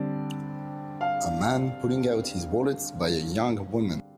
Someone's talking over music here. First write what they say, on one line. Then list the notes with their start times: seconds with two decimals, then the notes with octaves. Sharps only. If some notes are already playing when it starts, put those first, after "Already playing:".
A man pulling out his wallet by a young woman.
Already playing: D3 G3 C4 D5
1.01 F5